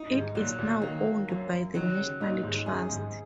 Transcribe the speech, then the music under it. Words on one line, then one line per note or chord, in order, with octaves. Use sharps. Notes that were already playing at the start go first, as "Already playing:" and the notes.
It is now owned by the National Trust.
Already playing: D#4
G#2
A#2 F#3
A#2
D#3 A#3
F#2 F#3
D#3 F#3
C#3
A#2 D#4
G#2
F#2 G#4
G#2